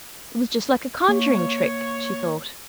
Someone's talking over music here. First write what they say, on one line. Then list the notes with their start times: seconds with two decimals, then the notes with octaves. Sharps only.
It was just like a conjuring-trick, she thought.
1.08 A#3 C#5